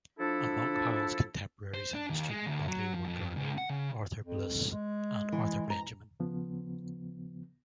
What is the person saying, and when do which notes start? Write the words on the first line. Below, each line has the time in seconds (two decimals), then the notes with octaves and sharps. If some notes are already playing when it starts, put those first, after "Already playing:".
Among Howells' contemporaries in the student body were Gurney, Arthur Bliss and Arthur Benjamin.
0.19 F3 D4 E4 A4
1.74 C5
1.94 D4
2.10 D#2
2.29 G#3
2.46 D2
2.68 F#3
2.94 F3
3.08 F2
3.37 C#2
3.58 F#5
3.70 C#3
4.25 F2
4.71 G#3
5.32 E3
5.70 A#5
6.20 D#2 C#3 F3 B3